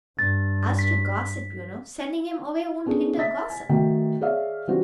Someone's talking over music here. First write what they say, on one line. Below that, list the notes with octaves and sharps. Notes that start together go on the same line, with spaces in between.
As to gossip, you know, sending him away won't hinder gossip.
G2 A6
B6
B3 C#4 D4 G#4 A4
D#5 E5 A6 B6
G#5
D#3 A3 F#4 G5
G#4 C#5 D5 E5 F5
E3 G3 C#4 F4 F#4 C5